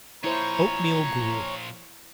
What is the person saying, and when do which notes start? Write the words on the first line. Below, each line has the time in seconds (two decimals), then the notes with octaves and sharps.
Oat-meal Gruel.
0.24 A#2 F3 E4 C5 C#5 A#5